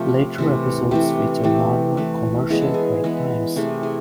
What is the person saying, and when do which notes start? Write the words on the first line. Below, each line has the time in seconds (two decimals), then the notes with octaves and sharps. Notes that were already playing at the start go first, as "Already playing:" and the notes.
Later episodes featured normal commercial break times.
Already playing: C3 F3 A3
0.38 C3 E3 A3 C5
0.91 C3 E3 A3 G4
1.44 E3 A3 G4
1.97 E3 A3
2.50 E3 G#3 B3 G#4
2.62 A4
2.74 G#4
3.04 E3 G#3 B3
3.56 C3 E3 A3 G#4
3.83 G#4